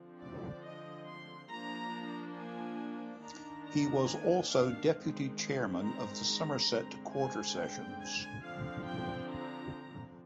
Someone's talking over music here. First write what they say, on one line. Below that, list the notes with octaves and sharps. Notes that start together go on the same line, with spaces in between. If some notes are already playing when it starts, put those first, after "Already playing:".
He was also Deputy Chairman of the Somerset Quarter Sessions.
Already playing: D3 F3 C4
D5
D#5
C6
F3 A#3 D4 A#5
G#5
D#3 A#3 D4 A#5
A#5
G#5
F5
D#3 G#3 C4
A#5
A#5
D3 G#3 C4
G#5
G5
G#5
D3 F3 C4 F5
G5
A#5